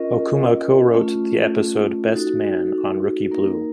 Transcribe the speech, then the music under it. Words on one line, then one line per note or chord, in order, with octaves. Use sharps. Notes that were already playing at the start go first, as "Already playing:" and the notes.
Okuma co-wrote the episode "Best Man" on "Rookie Blue".
Already playing: C#4 F4 A#4 D#5
A3 C#4 F4
D#4 F#4 A4
A#3 D#4 A#4